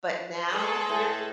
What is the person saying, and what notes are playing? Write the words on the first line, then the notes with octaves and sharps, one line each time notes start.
But now you're
G#3 G#4 A4 B4 D5
A2 D#5